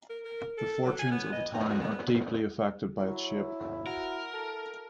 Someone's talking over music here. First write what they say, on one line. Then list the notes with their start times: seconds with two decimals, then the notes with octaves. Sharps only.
The fortunes of a town are deeply affected by its shape.
0.09 A#4
0.25 A#4
0.58 A4
0.85 F#3
0.99 G#5
1.11 B3
1.32 D#5
1.53 D#4
1.69 F#4
1.81 B3
2.98 F#3 E4
3.87 F#4 A#4
4.33 A4